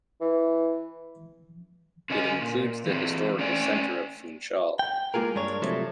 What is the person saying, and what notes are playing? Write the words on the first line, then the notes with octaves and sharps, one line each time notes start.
It includes the historical centre of Funchal.
E3
D3 C#4 D#5 G#5
A#2
E3 C4
A3 C#4 D5 D#5 G5 G#5
G5
G#3 A#3 C#4 F4 G#4 A#4
G2 G#3 D4 A#4 C#5
C3 F3 F#3 A3